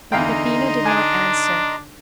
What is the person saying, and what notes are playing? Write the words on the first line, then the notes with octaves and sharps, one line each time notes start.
But Peppino did not answer.
E2 D3 D#4 D#5 F5 G5 A#5 C6
D4 G#5